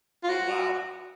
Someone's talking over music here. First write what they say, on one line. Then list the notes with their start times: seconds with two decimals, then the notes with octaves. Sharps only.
Oh, wow.
0.24 F4
0.30 F#4